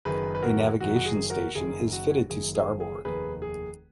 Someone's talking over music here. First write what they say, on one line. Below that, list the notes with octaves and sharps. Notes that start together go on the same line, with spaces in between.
A navigation station is fitted to starboard.
F#1 F#2 D#3 G#4 B4
B4
F#4 A#4
F#1 F#2 D#3 F#4
F#4
G#4
F#4 A#4
F#1 F#2 D#3 G#4
F#4
F#1 F#2 D#3 G#4
G#4
G#4
F1 D#2 D#3 G#4 B4
G#4